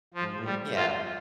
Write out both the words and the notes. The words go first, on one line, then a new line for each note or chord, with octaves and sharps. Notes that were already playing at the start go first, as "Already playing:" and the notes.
Mhm, yeah.
F3
G3
F4